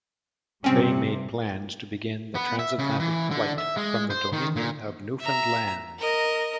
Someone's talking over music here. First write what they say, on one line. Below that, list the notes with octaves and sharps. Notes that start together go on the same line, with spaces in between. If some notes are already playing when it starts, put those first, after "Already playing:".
They made plans to begin the transatlantic flight from the Dominion of Newfoundland.
G2 C3 G3 C4 C#4
B3
E5
C#3
E3
D3
E5
G#3
C5
D#3
A#2
E5 A#5
A#4 D#5